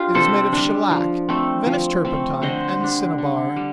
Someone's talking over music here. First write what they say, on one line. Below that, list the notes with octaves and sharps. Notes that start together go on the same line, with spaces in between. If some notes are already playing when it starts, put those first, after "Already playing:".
It is made of shellac, Venice turpentine and cinnabar.
Already playing: D4 F4 G4
C3 A4 C5
G3 D4
F3
A3 C4
F3
A3 C4
D3 C5 D#5
G3 D4
D3
G3